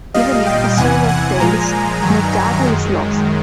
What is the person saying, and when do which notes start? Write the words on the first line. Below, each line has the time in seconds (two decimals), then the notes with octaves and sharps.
Even if a server fails no data is lost.
0.14 A#2 G3 D#5 F5
0.46 F5 G5
0.77 E2 C3 E3 F#5 G#5
1.08 F#5 G#5
1.40 A#2 F3 G#3 G#5 A#5
2.03 G2 D#3 F#3
2.66 F#2 D#3 G#3